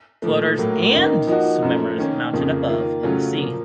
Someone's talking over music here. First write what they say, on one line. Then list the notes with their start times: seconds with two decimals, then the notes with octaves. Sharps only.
Floaters and swimmers mounted above in the sea.
0.22 A#2 F3 A3
0.58 A2 F#3 A#3
0.92 F#2 D#3 A#3 D#4
1.27 F3 A#3 D#4 F#4
1.62 F#2 F3 A3
1.98 D#3 A#3 C#4
2.33 F2 C#3 F3 A#3
2.68 D#3 A#3 F4
3.03 C#3 F#3 A3 C#4 F4
3.38 A#2 F3 A#3